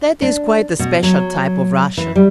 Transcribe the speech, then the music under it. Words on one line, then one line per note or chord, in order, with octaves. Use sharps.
That is quite a special type of Russian.
D4
B2
F#3
E3
G3